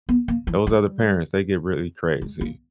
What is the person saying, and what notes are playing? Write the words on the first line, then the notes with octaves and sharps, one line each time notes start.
those other parents, they get really crazy.
B3
A#3
E3
G3
G#3
A#3